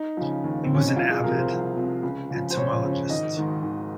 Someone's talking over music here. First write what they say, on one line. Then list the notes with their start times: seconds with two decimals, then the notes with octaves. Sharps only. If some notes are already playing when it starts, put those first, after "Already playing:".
He was an avid entomologist.
Already playing: D#4
0.17 C#3 F3
0.44 D#2
0.64 C4
0.70 C#3 F3 C#4
0.86 D#4
0.96 C2 F4
1.10 G#4
1.24 C3 F3 A#4
1.37 C5
1.50 C2
1.76 C3 F3
2.03 C#2
2.30 C#3 F3
2.50 C5
2.57 C#2 C#5
2.84 C#3 F3
2.91 C#5
3.09 G#1 D#5
3.37 G#2 D#3
3.63 G#1